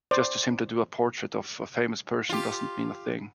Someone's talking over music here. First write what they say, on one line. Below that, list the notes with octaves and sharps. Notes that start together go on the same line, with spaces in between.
Just to simply do a portrait of a famous person doesn't mean a thing.
C5 D5
F4 G4